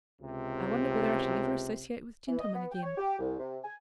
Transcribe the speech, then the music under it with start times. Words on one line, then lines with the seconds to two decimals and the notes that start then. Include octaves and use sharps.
I wonder whether I shall ever associate with gentlemen again?
0.22 C#2 C3
2.28 E3
2.40 D#5
2.55 B3
2.72 G5
2.83 C#5
2.98 G4
3.19 C2
3.39 C3
3.64 G#5